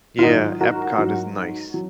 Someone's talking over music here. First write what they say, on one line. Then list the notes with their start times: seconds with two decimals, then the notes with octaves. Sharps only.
Yeah, Epcot is nice.
0.19 F4
0.23 G#2 D#3 F#3 D#4 F#4
0.61 F#4 A#4
0.98 G#2 F#3
1.74 F#3